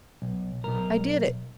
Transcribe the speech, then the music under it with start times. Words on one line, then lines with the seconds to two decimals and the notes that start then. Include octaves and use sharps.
I did it.
0.22 B1
0.64 B1 F2 A#4